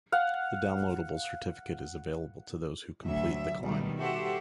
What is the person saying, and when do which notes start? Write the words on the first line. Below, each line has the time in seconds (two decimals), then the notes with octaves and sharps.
A downloadable certificate is available to those who complete the climb.
0.12 F5 F#5
3.06 D2 F#3 E5
3.63 B2 D#3 G3 A3
3.99 F#4 G4 A4 C5 E5